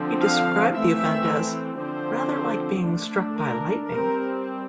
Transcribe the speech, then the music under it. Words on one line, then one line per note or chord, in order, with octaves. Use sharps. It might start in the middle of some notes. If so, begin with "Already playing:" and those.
He described the event as "rather like being struck by lightning".
Already playing: D3 F3 C4
F5
E3 A3 C4 E5
D3 F3 C4 C5
D3 A3 D4
A#4
G3 C4 A#4